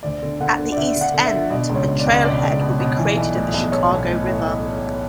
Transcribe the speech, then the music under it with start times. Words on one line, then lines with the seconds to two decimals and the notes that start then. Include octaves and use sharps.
At the east end, a trailhead would be created at the Chicago River.
0.03 D2 D5
0.22 D3
0.40 D3 F#5
0.59 D3
0.72 D5
0.76 D3 E5
0.96 D3
1.01 F#5
1.14 D3
1.26 E5
1.32 D3
1.50 B2 D5
1.69 C#2
1.75 C#5
1.88 B2
2.00 D5
2.07 C#2
2.24 B2 D5
2.43 C#2
2.61 B2
2.80 B2
2.99 E3
3.17 B1
3.35 A2
3.53 B1
3.71 B1 C#5
3.91 B1
4.09 A2
4.27 A2